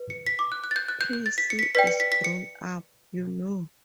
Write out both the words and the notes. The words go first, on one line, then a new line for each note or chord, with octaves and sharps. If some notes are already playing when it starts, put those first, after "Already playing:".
Prissy is grown up, you know.
Already playing: B4
C#7
B6
D6
F#6
F#6
A6
G6
F#6
G6
G6
A6
B6
C#7
B6
C#7
B4 D5 G5 B6
C#7
B6
B6
C#7